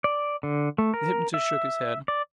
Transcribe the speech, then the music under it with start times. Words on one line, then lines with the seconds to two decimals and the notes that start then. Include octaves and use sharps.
The hypnotist shook his head.
0.04 D5
0.43 D3
0.78 A3
0.94 A#4
1.34 E5
2.08 D5